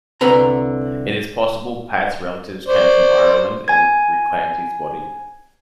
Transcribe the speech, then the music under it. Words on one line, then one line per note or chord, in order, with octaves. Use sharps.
It is possible Pat's relatives came from Ireland and reclaimed his body.
C2 D3 B4 G#5 A#5
C5 D5
G#5 G#6